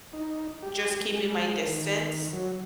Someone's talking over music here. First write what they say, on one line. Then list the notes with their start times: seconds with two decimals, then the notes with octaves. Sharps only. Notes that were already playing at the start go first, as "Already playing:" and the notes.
just keeping my distance.
0.13 D#4
0.63 G4
1.00 G#3
1.67 D#3
2.33 F#3